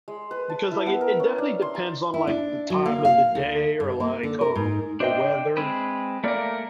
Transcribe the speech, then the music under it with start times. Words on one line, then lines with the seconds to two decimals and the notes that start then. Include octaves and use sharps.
because, like, it it definitely depends on, like, the time of the day or, like, um, the weather,
0.08 G#3
0.31 B4
0.49 A5
0.71 E4
0.86 B3
1.01 A#4
1.20 C#4
1.38 D4
1.62 C6
1.75 A#5
2.14 E4
2.27 D4
2.70 F#3
2.86 A#3
3.05 F5
3.35 D2
3.80 G2
4.00 A#3
4.23 D3
4.41 A#4
4.56 G#2
5.00 D4 C5 D#5 E5 G5
5.57 G#3 C4 B4
6.24 A3 A#3 A#4 D5